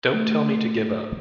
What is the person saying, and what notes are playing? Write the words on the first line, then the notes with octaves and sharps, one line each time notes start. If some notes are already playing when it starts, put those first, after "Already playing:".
Don't tell me to give up.
A3